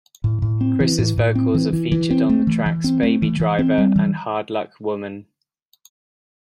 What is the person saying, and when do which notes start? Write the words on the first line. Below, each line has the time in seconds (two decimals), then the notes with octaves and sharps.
Criss' vocals are featured on the tracks "Baby Driver" and "Hard Luck Woman".
0.24 A2
0.42 A2
0.61 C4
0.80 E3
0.99 A2
1.18 A2
1.35 C4
1.55 E3
1.73 E3
1.92 E3
2.11 C4
2.29 A3
2.47 E3
2.66 E3
2.84 C4
3.03 A3
3.22 E3
3.40 E3
3.59 C4
3.78 G3
3.96 E3